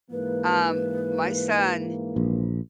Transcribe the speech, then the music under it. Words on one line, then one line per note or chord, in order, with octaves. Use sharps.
um, my son,
G#2 E3 A#3 B4
A#1